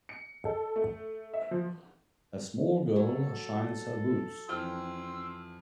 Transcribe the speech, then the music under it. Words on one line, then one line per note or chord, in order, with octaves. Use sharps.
A small girl shines her boots.
C#7
A4
A3
E5
F3
F#3 A4
F2 E3 G5 C6 E6 F6